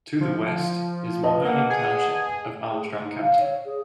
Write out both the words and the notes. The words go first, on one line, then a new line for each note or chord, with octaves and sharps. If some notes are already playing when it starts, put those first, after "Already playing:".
To the west is Mahoning Township of Armstrong County.
F3
B4 D#5 A5
A#3 F#5
G#4
G#4
A3
D#4
F5
C#5
G#4